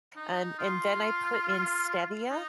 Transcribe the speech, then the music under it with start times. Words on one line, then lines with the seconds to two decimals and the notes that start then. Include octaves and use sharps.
um, and then I put in Stevia,
0.16 D#4
0.59 F4
2.31 D#4